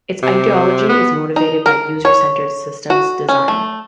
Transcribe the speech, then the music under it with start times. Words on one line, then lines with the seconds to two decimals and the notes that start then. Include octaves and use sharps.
Its ideology is motivated by user-centered systems design.
0.22 C3
0.89 B3
1.36 D#4
1.66 A#4
2.05 C#5
2.90 F#4
3.29 C#4
3.48 A3